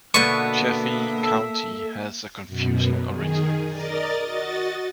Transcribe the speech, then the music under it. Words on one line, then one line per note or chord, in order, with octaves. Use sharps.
Chaffee County has a confusing origin.
B2 D3 A#3 B3 E5 C#6
A4 E6
F#2 B2
D#3 G#4
A#4 D5 D#5 A6
F#4 D#5 A6